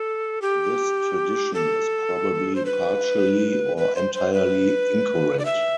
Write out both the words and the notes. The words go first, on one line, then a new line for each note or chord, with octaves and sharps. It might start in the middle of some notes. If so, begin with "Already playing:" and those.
This tradition is probably partially or entirely incorrect.
Already playing: A4
G4
A4
C5
B4
B4
C5
C5
B4
D5
E5